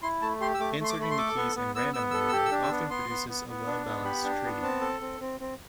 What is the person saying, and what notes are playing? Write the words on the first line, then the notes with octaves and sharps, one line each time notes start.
Inserting the keys in random order often produces a well-balanced tree.
E4 C6
A3 A5
G4 C6
E6
A3 D6
A3 C6
D6
A3 B5
C6
A4 D6
B3
B3
B3 E6
B3 E6
A4 E6
G4 E6
E6
D4
E6
B3
B3 C6
B3
B3
B3
D4
B3
G4 B5
D4
B3
C4 A5
A4
C4
C4
C4